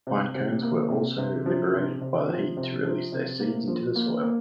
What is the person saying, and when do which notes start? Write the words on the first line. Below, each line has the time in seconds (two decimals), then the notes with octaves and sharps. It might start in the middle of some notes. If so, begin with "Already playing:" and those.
Pinecones were also liberated by the heat to release their seeds into the soil.
0.07 C3
0.35 C3
0.62 A#3
0.90 C3
1.18 C3
1.46 F3
1.73 C3
2.01 C3
2.29 F3
2.57 C3
2.85 F3
3.12 C3
3.40 A#3
3.67 F3
3.96 A#3
4.23 A#3